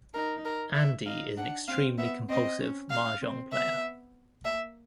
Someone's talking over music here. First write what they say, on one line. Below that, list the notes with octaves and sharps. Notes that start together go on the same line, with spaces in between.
Andy is an extremely compulsive Mahjong player.
D#4 A#4
A#4
E5
D#4 F5
D4 F#5
C4 F5
B3 E5
C4 D#5
C#4
F5
C4
B3 E5
A#3 E5